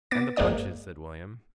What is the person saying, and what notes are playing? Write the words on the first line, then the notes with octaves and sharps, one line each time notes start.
'And the Punches,' said William.
B3 D6 A6
G1 G#3 A#3 C4 D5 D#6